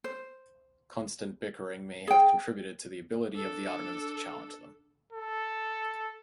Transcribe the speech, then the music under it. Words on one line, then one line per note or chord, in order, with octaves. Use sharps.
Constant bickering may have contributed to the ability of the Ottomans to challenge them.
C5
G#4 G5
D4 A4
A4